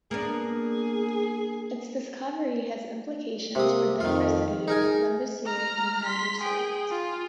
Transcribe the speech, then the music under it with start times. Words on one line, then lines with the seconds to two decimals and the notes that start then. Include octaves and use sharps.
Its discovery has implications for the diversity of lambeosaurine hadrosaurids.
0.11 A#3 B3 D4 G#4
3.55 C3 A#3 D#6
4.00 F2 D#3 F4
4.68 D#4 G#4 A#4 G#5
5.46 A#5 F6
6.05 C6 B6
6.41 G#4 G5
6.91 F4